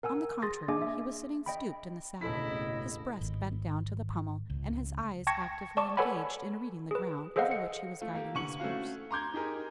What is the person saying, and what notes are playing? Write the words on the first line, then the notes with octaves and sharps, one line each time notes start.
On the contrary, he was sitting stooped in the saddle, his breast bent down to the pommel, and his eyes actively engaged in reading the ground, over which he was guiding his horse.
A#4 F#5 G#5 E6
G#4 C6 D#6 A6 A#6
A#3 D4 G#4 D#5 G#5 D6
E5
D#5 G5 B5
E1 A1 C#3 E4 A4 D#5 B6
G#1
C#2
G5 A5 C#6 G#6 A#6 C#7
D5 A5 C#6 D6
A4 B4 C#5 F#5 G#5 B5
G#4 B4
G#4 A4 C5 D#5 F5 F#5
C#7
A3 F4
A#3 G4
D3 E3 C#6 C#7 F#7
A3 C4 C#4 F#4 F5
A#5 C6 D6 G6 G#6
D#4 G4 G#4 A#4